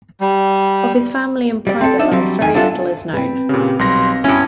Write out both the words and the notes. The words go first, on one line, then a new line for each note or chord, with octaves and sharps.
Of his family and private life very little is known.
G3
G3 D5
C4 A4
D4 D#4 E5
F#3 G3 C4
E2 D#3 G#5
B3 D4 F4 A4 E5 F#5
C4 B4
A#2 C#3 G4
B1 G3 C6 A#6
G2 B3 C#4 E4 F#4